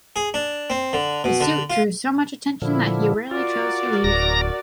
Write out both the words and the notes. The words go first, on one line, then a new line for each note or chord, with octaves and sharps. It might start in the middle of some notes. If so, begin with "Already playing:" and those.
The suit drew so much attention that he rarely chose to leave.
G#4
D4
C4
D3
B2
D3
F4
A#2 D3 F3 E4
F4 F#4 A#4 D5
D1 A#5 A#6